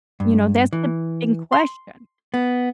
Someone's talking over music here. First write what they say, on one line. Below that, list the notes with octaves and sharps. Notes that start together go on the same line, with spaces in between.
You know, that's the big question.
G2
E3
C6
B3